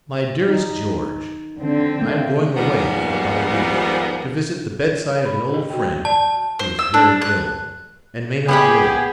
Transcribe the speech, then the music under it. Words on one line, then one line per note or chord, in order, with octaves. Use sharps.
MY DEAREST GEORGE,--I am going away for about a week, to visit the bedside of an old friend, who is very ill, and may not live.
D#4
D3 C4
A3 A#3
D#2 G#2 F3 G3 A#3 B3
B5
G4 A4 D#5
F#4 G5
D5 A5
C5
E6
D4
F#6
B3 G4 G#4 F#5 B5